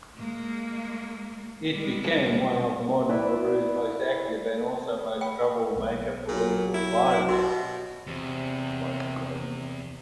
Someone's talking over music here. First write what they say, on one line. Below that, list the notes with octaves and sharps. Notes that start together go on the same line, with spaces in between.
It became one of modern Peru's most active and also most trouble-maker political parties.
G#3 A#3
G3 G#3
E4 B4 D5 E5
G5 B5
B1 B3
A#2 F#3
E4
B2 F#4 G4
E2 C3